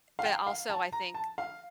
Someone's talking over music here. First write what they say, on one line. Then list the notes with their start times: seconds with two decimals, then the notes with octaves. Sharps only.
but, also, I think
0.19 F5
0.25 G5
0.47 F5
0.70 A5
0.92 A#5
1.14 A5
1.38 F5